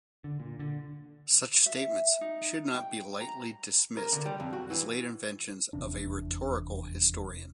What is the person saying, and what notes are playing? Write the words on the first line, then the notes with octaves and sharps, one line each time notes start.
Such statements should not be lightly dismissed as late inventions of a rhetorical historian.
D3
A#2
D3
E5
D#4
G5
A#5
A#4
D3
G3
F2
F#4
E3
F1 E2 C3 D4